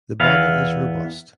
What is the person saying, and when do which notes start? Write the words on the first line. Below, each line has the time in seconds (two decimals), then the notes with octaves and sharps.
The body is robust.
0.20 E2 E3 B3 F5